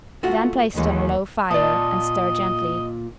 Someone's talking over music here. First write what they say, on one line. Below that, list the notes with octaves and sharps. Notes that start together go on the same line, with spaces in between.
Then place it on a low fire and stir gently.
A3 F4 F#4
D#2 E3 G#3
A#2 D5 D#5 A5